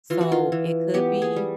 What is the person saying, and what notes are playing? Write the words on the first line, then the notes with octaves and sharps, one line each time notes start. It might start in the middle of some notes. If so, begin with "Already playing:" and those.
So, it could be,
E3 F4
F#4
F4
E3
B3 G4
G#4
G3